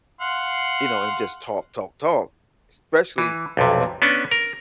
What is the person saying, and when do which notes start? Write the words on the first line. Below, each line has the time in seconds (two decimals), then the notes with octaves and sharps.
you know, and just talk, talk, talk, especially when
0.21 F5 F#5 C6
3.18 E3
3.57 B1 F2 C3
4.02 B3 C#4 D4
4.31 A#4